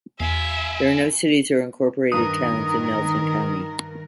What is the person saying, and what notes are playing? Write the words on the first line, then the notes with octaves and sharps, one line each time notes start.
There are no cities or incorporated towns in Nelson County.
E2 E4 E5 F5 G#5
G2 D#3 A#4 B4 D#6